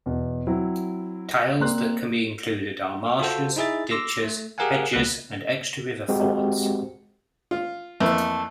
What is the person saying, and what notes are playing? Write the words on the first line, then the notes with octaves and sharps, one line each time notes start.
Tiles that can be included are marshes, ditches, hedges and extra river fords.
E2 B2
F#3 C4 E4
A#3 C4 D5 C6 F#6
F4 F#4 A4 C5
D#4 E4 G#4 E5 A6
C6 D6 E6 A#6
A3
G4 G#4 A#4 F5 F#5 G#5
C#2 B2 A#3 F#6
G#3 C4 F#4 G4
F4
F2 E3 A3 A#3